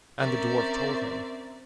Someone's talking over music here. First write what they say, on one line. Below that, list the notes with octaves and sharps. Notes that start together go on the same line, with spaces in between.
And the dwarf told him.
C4 C#4 A#4 C5 D5 E5